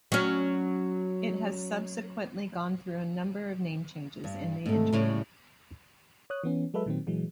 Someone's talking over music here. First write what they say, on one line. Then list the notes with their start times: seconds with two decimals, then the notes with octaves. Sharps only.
It has subsequently gone through a number of name changes in the interim.
0.12 F#3 C#4
4.24 G2
4.66 G#2 C3 A3
4.93 A2 C#3 G3
6.30 C#5 D#6 F#6
6.44 E3 B3 C#4
6.74 F#3 G#3 A4 B4 E5
6.86 A#2 D#3 F#3 C4
7.07 A#2 E3 F#3 G#3